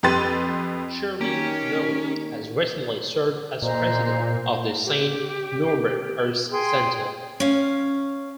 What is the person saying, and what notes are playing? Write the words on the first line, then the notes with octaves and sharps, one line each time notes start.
Shirley Loewen has recently served as president of the Saint Norbert Arts Centre.
F2 G4 B4 C6 A6 D#7
D#3 A#3 C#4 G4
A#2 C5 D#5 A#5
G4
G#4 G5 C6
C#4 F5